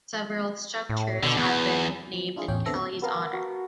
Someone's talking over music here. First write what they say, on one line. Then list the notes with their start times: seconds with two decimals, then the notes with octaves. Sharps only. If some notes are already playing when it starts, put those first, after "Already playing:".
Several structures have been named in Kelley's honor.
0.90 A2
1.23 B2 D3
1.38 E2 B3
2.14 F3
2.36 D4 E4 F4 G#4
2.48 A1 E2 C#4 C#5 G5
2.66 D3 B3 C4 A4 E5 A#6
3.02 B3 A#4 F5 A5
3.33 F#4